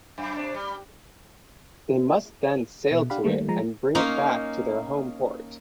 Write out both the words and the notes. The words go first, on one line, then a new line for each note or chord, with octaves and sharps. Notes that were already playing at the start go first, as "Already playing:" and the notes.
They must then sail to it and bring it back to their home port.
F#2
C3 D4
G3
B2
D4 G4 F5 F#5 B5
D#3 G3 A3 A#3
F3 G#3 A#5
A#3 C#4 D#4 C6